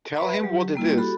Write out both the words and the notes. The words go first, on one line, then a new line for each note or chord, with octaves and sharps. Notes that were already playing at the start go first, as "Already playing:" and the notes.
Tell him what it is.
B4 E5 B5
F#3 G4
G3 A#3 E4 F4
F#4 G4 A4 B5